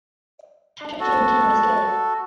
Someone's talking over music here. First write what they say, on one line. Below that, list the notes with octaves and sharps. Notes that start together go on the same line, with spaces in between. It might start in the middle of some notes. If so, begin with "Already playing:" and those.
Patrik Jean came out as gay.
F#4 A4